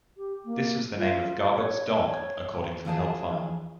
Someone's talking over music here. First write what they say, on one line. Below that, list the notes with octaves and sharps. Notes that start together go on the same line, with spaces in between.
This was the name of Garbutt's dog, according to the help file.
G4
A#3
F4
C#5
C#5
E3 F3 G#4 A5